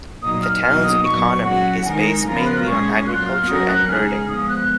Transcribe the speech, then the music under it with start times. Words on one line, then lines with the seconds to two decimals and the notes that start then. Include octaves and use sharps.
The town's economy is based mainly on agriculture and herding.
0.22 A#2 F#3 A#3 D#4 D#6
0.43 F6
0.63 B2 F#3 A#3 D#4 F6
0.84 D#6
1.04 A#2 F#3 B3 C#6
1.44 F#3 C#4 F#4 F#5
1.64 F#5
1.85 D#3 G#3 D#4 A#4 G#5
2.25 C#3 F3 B3 F4 A#4 A#5
2.36 B5
2.46 F#6
2.56 F6
2.66 A#2 G#3 C#4 G#4 C#6
3.07 F#3 A#3 F4 F#6
3.27 F6
3.47 F#3 C#4 F#4 A#4 D#6
3.67 F#6
3.88 C#3 G#3 D#4 G#4 F6
4.29 F3 G#3 B3 D#6
4.49 F#6